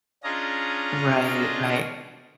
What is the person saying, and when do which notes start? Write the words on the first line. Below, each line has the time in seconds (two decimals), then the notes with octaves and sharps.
Right, right.
0.24 C#4 D4 F4 G#4 D#5 A#5